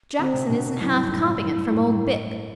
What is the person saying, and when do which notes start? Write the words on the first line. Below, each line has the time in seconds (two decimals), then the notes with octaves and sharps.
'Jackson isn't half copping it from old Bick.'
0.19 D3 C4
0.34 C3
0.49 B2 D4
0.75 D4
0.80 F#2 E4
0.95 G2
1.10 A2
1.26 G2
1.41 F#2
1.57 G2
1.72 A2